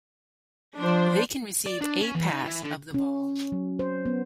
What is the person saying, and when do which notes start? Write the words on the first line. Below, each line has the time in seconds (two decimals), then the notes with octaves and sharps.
They can receive a pass of the ball.
0.79 F3 D4 C5
1.67 D5
1.81 D4
2.02 C#4
2.15 E2
2.30 D#4
2.45 E3
2.63 D3
2.94 C#4
3.52 F#3
3.79 C5
4.06 B3